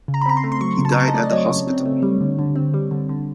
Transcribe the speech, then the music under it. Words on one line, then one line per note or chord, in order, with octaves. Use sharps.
He died at the hospital.
C#3
A#5
B5
C4 A#5
C6
A3
C6
F#3 C#6
C#3
A5
A#5
C4 A5
D#5
A3 D5
D#5
F#3 C#5
C#3
C4
A3
G3
D3
D3
C4
G3
D3
D3